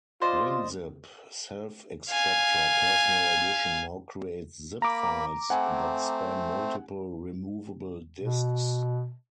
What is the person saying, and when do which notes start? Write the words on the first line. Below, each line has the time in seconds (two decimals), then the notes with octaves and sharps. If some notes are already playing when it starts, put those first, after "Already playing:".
WinZip Self-Extractor Personal Edition now creates Zip files that span multiple removable disks.
0.22 F4 C5 D5 D#5
2.09 F5 G#5
4.82 A#3 A#5 B5 D6
5.50 A3 C4 F#5 G#5
8.21 B2